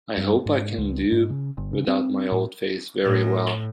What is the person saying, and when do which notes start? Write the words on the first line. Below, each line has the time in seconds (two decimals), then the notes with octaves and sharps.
I hope I can do without my old face very well.
0.17 G2
0.46 G#2
0.78 C#2
1.12 G#2
1.30 C#3
1.57 G1
1.73 C#3
1.88 C4
2.32 A2
3.04 A2